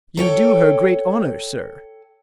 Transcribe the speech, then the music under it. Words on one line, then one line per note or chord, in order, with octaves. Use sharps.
"You do her great honour, sir."
A4 C#5 G5